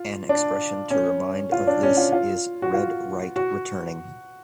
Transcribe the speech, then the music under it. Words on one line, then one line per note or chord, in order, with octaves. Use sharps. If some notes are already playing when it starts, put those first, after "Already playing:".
An expression to remind of this is "red right returning".
Already playing: F4
D4
C#4
F4
D4
C#4
F4
F4
F#4
F4
F#4